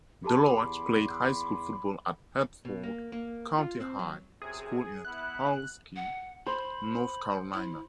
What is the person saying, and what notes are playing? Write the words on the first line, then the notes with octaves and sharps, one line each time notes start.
Deloatch played high school football at Hertford County High School in Ahoskie, North Carolina.
E2 G4 A4 A5 B5 C6 D6
B2
A#3
A#3
F4
C4
F#3
F#2 C3 G#4
B3 E4 F#6
F#5
C5 B5
E4